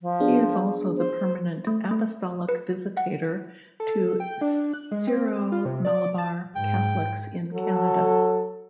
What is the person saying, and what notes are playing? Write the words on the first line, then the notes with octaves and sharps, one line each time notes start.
He is also the permanent Apostolic Visitator to Syro-Malabar Catholics in Canada.
F3
B3 D4 G#4
C5
A3
A3
B4
F#5
A4
G5
D4
F#6
G#3
C4
F4
C3
D5
A5
G#2 G5
F#3 A4